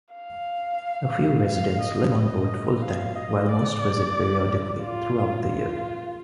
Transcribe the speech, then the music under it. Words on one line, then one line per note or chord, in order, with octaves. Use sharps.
A few residents live on board full-time while most visit periodically throughout the year.
F5
F5
D#5
D#5
F5
D#5
D5
F4
F4